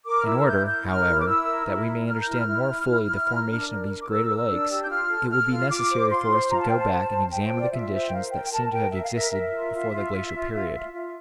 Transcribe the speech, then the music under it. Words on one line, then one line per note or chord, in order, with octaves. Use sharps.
In order, however, that we may understand more fully the formation of these greater lakes it will be necessary for us to go back and examine the conditions that seem to have existed before the glacial period.
A#4 D6
F6
E4 E6
E4 G6
A#4 G6
A#4 F6
E4
D6
E4 E6
A#4
E4
A#4
A#4 F6
G6
E4 F6
E4
E4
E4
E4
A#4
D4
A#4
A#4
D6
A#4 E6
A#4
D4
G4
G6
F4 F6
A4
A4 F6
F4
F4 D6
C5
F4 C6
C5
F4 A#5
A5
C5 G5
A5
C5
C5
C5 G5
F4
D5
F4 E5
C5
G5
A#4 F5
A#4 G5
A#4 A5
A#4 G5
A#4 E5
F5
A#4 E5
A#4 E5
F4
F4
F4
F4
F4
F4
F4
F4